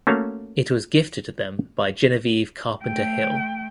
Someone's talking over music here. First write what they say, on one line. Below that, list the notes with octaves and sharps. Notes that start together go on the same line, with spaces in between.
It was gifted to them by Genevieve Carpenter Hill.
A3 A#3 C#4 F#4 C#5 F5
A3 G5